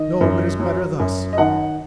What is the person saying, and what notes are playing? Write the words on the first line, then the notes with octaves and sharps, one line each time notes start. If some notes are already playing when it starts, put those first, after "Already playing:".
No, it is better thus.
Already playing: D#3 D#5
F#2
F#3
F#2
D#5
D#3 F#5